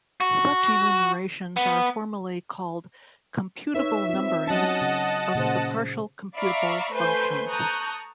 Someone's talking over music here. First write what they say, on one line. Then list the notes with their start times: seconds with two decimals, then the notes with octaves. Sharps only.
Such enumerations are formally called computable numberings of the partial computable functions.
0.21 F#4
1.57 B3
3.74 D#4 B4 C#5 E5
4.09 C4 F4
4.47 F#3 C#4 D#5 F#5 A5
4.81 C#3
5.35 A#2 C#3 C5
6.35 D5 E5 F5 A#5 B5 C#6
6.91 A3 B4 C5 G#5 C6 G6
7.48 A5 A#5 C#6 D#6 F#6 G6